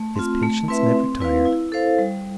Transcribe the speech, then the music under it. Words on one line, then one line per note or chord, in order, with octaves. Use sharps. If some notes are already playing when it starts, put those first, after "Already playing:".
His patience never tired.
Already playing: A3
C4 F4
A3
C4 E4 B4 E5
C4
E4 B4 F5
E4
A4 C5 F5
G3